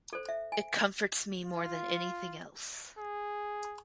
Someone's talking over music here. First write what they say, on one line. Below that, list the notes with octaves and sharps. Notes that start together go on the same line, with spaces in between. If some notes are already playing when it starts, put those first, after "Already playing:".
It comforts me more than anything else.
A4 C5
E5
G#5
F4
G#4